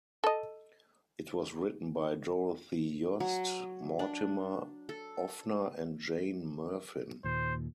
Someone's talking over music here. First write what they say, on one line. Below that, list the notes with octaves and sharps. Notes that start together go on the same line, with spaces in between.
It was written by Dorothy Yost, Mortimer Offner and Jane Murfin.
A4 D#5
F#3
D4
A4
D#2 A#2 C5